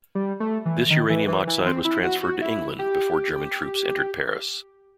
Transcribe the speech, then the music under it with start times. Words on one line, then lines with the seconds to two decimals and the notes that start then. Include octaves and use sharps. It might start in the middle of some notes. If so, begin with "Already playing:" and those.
This uranium oxide was transferred to England before German troops entered Paris.
0.15 G3
0.40 A3
0.66 E3
0.90 D#3
1.10 E3
1.28 E3
1.47 E3
1.66 C4
1.85 E4
2.04 F#4
2.23 F#4
2.41 E4
2.79 G4